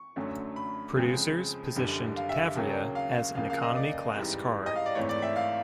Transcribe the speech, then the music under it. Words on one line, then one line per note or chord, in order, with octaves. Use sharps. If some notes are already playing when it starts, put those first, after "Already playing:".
Producers positioned Tavria as an economy-class car.
Already playing: C#6
F#2 D3 F#3 A3 C#4
B5
F2 C#3 F3 G#3 C4
F#1 F#2 D3 G3
F5
E5
D#2 C#3 F#3 A#3 C#4
F5
C#2 C#3 F3 A#3 F5
F5
D#5
D5
A1 G#2 E3 G3
D#5
F5
D5
G#1 G#2 E3 A3 C#5
D5
E5
F5